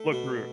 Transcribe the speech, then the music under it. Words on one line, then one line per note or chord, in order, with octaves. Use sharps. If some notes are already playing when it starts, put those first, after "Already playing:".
look through it?
Already playing: A3 A4
B2